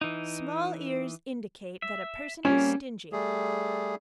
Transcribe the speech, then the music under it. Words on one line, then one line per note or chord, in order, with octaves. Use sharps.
Small ears indicate that a person is stingy.
E3 D#4
E5
G3 A#3 C4 C#4
G3 A3 G#4